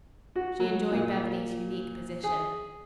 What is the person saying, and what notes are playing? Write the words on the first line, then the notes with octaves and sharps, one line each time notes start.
She enjoyed Beverly's unique position.
F#4
F#3
A#2
G#4